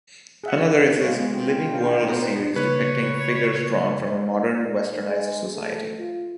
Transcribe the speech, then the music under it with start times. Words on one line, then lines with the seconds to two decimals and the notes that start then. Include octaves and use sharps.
Another is his "Living World" series, depicting figures drawn from a modern, westernized society.
0.44 G#4 E5 F#5
1.00 G#3 B3 C#5 D#5 F5
1.34 F4 G5
1.65 B2 D4 D#4
2.04 B3 C5 C#5 A#5
2.56 C#3 A#3 B4 C#5
5.08 G#3
5.55 A3
5.99 F4